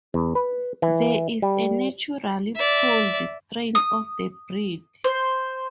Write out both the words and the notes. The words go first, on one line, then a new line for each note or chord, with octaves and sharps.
There is a naturally polled strain of the breed.
E2
B4
E3
G3
D5 E5
D#6
C5